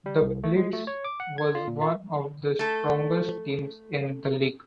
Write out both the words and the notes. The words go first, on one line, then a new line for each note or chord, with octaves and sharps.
The Blitz was one of the strongest teams in the league.
G3
C2
A3
G#3
A3
C#5
D6
F#5
G#6
F4
A#2
F4
A3 A4